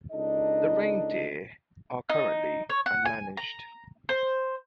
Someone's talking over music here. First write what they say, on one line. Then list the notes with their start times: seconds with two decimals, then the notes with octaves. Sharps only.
The reindeer are currently unmanaged.
0.12 C#2 D4 D#4 A4 D#5
2.09 D#4
2.70 C#5
2.86 F#5
3.05 G#5
3.37 A#5
4.09 C5